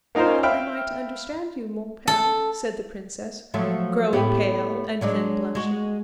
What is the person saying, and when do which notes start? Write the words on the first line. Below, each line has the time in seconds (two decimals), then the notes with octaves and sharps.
"How am I to understand you, mon pere?" said the princess, growing pale and then blushing.
0.15 A#3 D#4 F4 A#4 C5
0.43 E5 F5 G5 B5 F6
2.07 A4
3.54 F3 F#3 A3
4.13 A2 B3 G4
5.01 F#3 G#3 D4
5.55 G#3 F#4